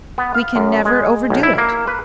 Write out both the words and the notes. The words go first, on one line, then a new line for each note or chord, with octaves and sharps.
We can never overdo it.
B3
F5
F#2
G#3
B1
E4
A#3
B4